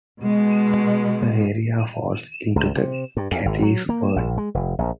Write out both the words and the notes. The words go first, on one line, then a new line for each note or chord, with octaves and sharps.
The area falls into the Cathays ward.
B2 G#3
C#2
C3
G2
E2
G#1
F#3
A#3
A#1
G#3
F1
A#1